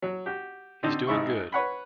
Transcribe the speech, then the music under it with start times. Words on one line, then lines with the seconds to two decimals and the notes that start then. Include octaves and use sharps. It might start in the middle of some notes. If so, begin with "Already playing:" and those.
He's doing good.
0.02 F#3
0.26 F#4 G4
0.83 D3 C4 D#4
1.07 G#1 G#2 E4 C#6
1.52 B4 C#5 F#5 B5